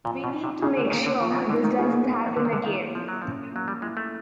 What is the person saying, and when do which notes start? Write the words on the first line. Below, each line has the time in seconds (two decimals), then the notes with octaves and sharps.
We need to make sure this doesn't happen again.
0.04 A#2 F3
0.24 B2
0.33 D#4
0.44 C3
0.62 C#3 G#4
0.77 D3
0.92 D#3 A#3
1.06 D3
1.20 C#3 F3
1.35 C#3
1.49 D3 D#4
1.64 D#3
1.79 C#3 G#4
2.08 A#3
2.37 D3 A#3
2.45 D#3
2.53 D3
2.66 D#3 E4
2.95 F3 A#3
3.08 F#3
3.22 F3 C#4
3.52 F#3 A#3
3.68 G3
3.82 G#3 E4
3.97 A3